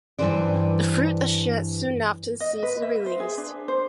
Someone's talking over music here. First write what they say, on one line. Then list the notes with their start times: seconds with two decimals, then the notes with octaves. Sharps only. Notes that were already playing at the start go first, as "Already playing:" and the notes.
The fruit are shed soon after the seeds are released.
0.18 G2 A#2 E3 B4 C5 D5
2.40 D#5
2.63 B4
2.82 E5
3.06 C5
3.20 G#4
3.38 D4
3.68 C5